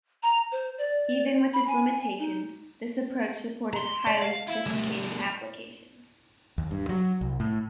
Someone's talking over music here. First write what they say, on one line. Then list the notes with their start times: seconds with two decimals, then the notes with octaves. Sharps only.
Even with its limitations, this approach supported highly sophisticated applications.
0.23 A#5
0.52 C5
0.78 D5
1.53 B5
1.67 G#5
2.19 D#4
3.73 A#5 C6
4.07 D5
4.22 F5
4.47 E4
4.66 G3 A3
6.58 D#2
6.71 G2
6.89 F#3
7.21 C2
7.40 A2